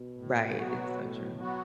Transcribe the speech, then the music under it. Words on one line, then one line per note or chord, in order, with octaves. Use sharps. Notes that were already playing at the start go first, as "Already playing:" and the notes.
Right, it's so true.
Already playing: B2
A2
F#3 B3 F#4
A2
F#3 B3 F#4